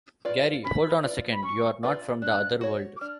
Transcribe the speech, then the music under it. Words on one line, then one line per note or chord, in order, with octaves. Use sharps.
Gary: Hold on a second, you're not from the other world!
F4 B4 D5
C#4 B5
F4 B4 D5
B5
C#4 C#6
F4 B4 D5
D4 F#6
F#4 C#5
D6
D4 F6